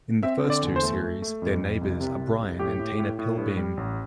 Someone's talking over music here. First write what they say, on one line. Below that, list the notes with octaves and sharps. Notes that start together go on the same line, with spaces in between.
In the first two series, their neighbours are Brian and Tina Pillbeam.
C4 E5
D3
D5
E2
C5
A3
A3
A3
F2
F2
C2
C3
C2
C2
A2 G4
A2
A2
A2
G2
G3
A1